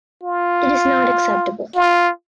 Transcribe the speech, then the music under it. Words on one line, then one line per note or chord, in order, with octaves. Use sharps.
It is not acceptable.
F4
F4